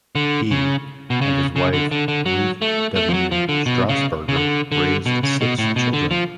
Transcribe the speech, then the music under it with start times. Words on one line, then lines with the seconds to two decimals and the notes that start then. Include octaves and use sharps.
He and his wife, Ruth W. Strassburger, raised six children.
0.15 D3
0.51 C#3
1.10 B2
1.21 C#3
1.56 C#3
1.73 D3
1.91 D3
2.08 D3
2.26 F#3
2.62 A3
2.96 A3
3.08 F3
3.14 F#3
3.31 F3
3.49 D3
3.66 B2
3.89 C#3
4.29 C#3
4.36 D3
4.72 D3
5.06 B2
5.23 C#3
5.41 B2
5.58 A2
5.76 B2
5.93 D3
6.11 F3